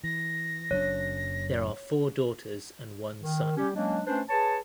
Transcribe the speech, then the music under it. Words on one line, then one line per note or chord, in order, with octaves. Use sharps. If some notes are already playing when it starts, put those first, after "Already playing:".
There are four daughters and one son.
E3 A#6
F#1 F#2 D4 C#5
D#3
G3 C#4 G4
F#3 G#3 A#3 C#4 D4
A3 C#4 D4 B4 C5
G#4 B4 C#5 A5